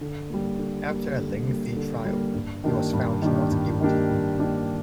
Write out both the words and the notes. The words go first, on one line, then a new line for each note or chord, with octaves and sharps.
After a lengthy trial, he was found not guilty.
D3
G3 A#3
D3
G3 A#3
D3
G3 A#3
D3
G3 A#3
G2
D#3 A#3 D4 G4
G2
D#3 A#3 D4 G4
G2
D#3 A#3 D4 G4
G2
D#3 A#3 D4 G4